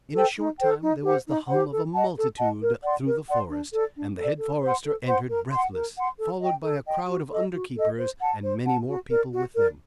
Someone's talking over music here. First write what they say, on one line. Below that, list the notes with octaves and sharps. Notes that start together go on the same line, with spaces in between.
In a short time there was the hum of a multitude through the forest; and the head-forester entered, breathless, followed by a crowd of under-keepers, and many more people with them.
A4 C5 G5
D#4
A4 C5 G5
D#4
G4 C5 F#5
D#4
G4 C5 F#5
A4
D#5 F#5 A5
A4
D#5 F#5 A5
A#4
D5 F#5 C6
A#4
D5 F#5 C6
D4
A4 D5
D4
A4 D5
A4
C5 F#5 C6
A4
C5 F#5 C6
A#4
F#5 C6
A#4
F#5 C6
A4
D#5 G5
A4
D#5 G5
F#4
A4 D#5
F#4
A4 D#5
C5
F#5 A5
C5
F#5 A5
F#4
A#4 D5
F#4
A#4 D5